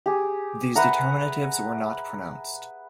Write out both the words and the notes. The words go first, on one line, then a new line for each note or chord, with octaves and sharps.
These determinatives were not pronounced.
G4 G#4
B4 E5 F#5 A#5